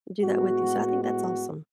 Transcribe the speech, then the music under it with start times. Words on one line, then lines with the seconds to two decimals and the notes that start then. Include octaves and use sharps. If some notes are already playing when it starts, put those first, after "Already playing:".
do that with you. So I think that's awesome.
0.21 A2 G#3 B3 F#4
1.03 F#4